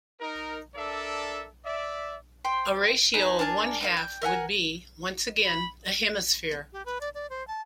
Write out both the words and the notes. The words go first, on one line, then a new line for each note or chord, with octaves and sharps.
A ratio of one half would be, once again, a hemisphere.
D#4 A#4
D4 A4 A#4 D5 E5
D5 E5
C5 G5 C6
B3 D#4 G#4
D4 G#4 A#4 A5
A#3 C4 D#4
G5
A#4 E5 F#5 G#5
B5
G4
B4
D5
D5
C5
A5